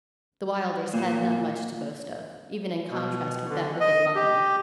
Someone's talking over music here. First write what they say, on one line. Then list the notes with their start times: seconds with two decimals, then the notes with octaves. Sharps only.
The Wylders had not much to boast of, even in contrast with that wicked line.
0.94 A#2
2.90 B2
3.49 D3
3.80 D#5
4.15 G4